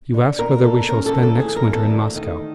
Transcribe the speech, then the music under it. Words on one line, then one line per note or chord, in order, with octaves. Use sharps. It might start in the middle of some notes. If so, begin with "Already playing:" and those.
You ask whether we shall spend next winter in Moscow.
D3
B2 A#4
B2 A4
C#3 A#4
A4
D2
A4
E3 G#4
A#4
E2
A4
D2
D#3